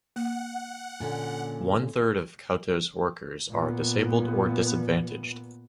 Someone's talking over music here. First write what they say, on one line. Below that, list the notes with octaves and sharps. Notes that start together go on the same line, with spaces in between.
One-third of Cauto's workers are disabled or disadvantaged.
A#3 F#5
A#2 D3 C#4
A#2 B3